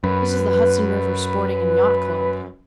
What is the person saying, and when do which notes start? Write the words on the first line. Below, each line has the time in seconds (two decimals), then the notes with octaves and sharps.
"This is the Hudson River Sporting and Yacht Club."
0.04 F#2 B4